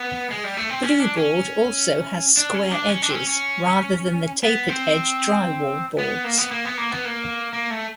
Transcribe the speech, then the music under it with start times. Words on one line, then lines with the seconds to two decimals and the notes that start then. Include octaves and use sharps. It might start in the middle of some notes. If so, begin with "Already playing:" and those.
Blueboard also has square edges rather than the tapered-edge drywall boards.
Already playing: B3
0.31 G#3
0.44 G3
0.57 A3
0.69 C4
0.83 C#4
1.00 D4
1.17 C#4
2.37 D4
2.54 C#4
2.71 D4
2.89 C#4
3.02 D4
3.10 C4
3.14 C#4
3.27 C#4
4.43 B3
4.69 C4
5.99 B3
6.24 A#3
6.38 B3
6.51 A#3
6.65 B3
6.77 A#3
6.91 B3
7.05 A#3
7.53 A#3
7.70 A3